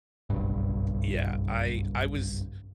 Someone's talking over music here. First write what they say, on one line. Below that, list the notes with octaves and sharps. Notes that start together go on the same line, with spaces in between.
Yeah, I I was
F#1 B1 G2